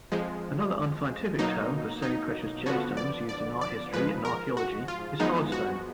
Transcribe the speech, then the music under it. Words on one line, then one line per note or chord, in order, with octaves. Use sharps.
Another unscientific term for semi-precious gemstones used in art history and archaeology is hardstone.
F2 F3 G#3
B2 F#3 A#3 D#4
D#4
D3 F3 B3 F#4
D5
D5
D5
G#2 F3 G#3 B4
A#4
F#4
F4
F#2 F3 G#3 B3 D#4
F#4